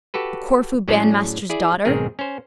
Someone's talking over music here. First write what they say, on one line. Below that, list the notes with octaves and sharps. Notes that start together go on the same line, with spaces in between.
A Corfu bandmaster's daughter!
F#4 G4 A4 B4
A2 F#3 C#4 G#4 D5 A5
E4 G#4 D5
B1 G#2 D#3 C4 G#4 A#4
C#4 C5